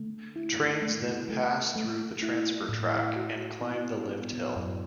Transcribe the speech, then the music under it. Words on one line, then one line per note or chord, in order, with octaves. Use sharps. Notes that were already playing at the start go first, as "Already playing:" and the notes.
Trains then pass through the transfer track and climb the lift hill.
Already playing: D3 A3
E4
A3
A3
A3
E4
A2
F#4
B3
B3
F#2